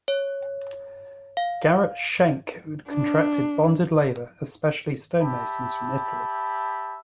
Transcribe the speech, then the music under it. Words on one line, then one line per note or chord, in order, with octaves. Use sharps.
Garret Schenck contracted bonded labor, especially stonemasons from Italy.
C#5
F5
D4
G4 E5 A5 B5